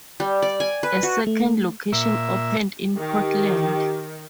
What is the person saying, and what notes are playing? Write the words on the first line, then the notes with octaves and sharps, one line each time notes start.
A second location opened in Portland.
G3
D5
G#5
B4
F#4
A3
A#2 E5
D#3 G4